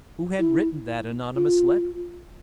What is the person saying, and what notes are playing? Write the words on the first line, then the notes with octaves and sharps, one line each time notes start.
Who had written that anonymous letter?
E4
F4